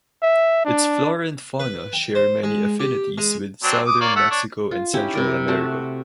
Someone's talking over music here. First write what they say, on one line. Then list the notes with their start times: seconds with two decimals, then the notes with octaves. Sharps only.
Its flora and fauna share many affinities with southern Mexico and Central America.
0.22 E5
0.65 D4
1.60 B4
1.93 G5
2.15 C5
2.43 G#3
2.80 G4
3.18 G#3
3.63 F#3 C4 D4
3.86 D6 D#6
4.01 A#3 C#5 D5
4.16 A3 F#5 E6
4.30 D4 C#5
4.71 F4
4.94 C#4 D#4 E4 G4
5.14 C3 A#4 D5
5.48 A3 C4 F#4 A5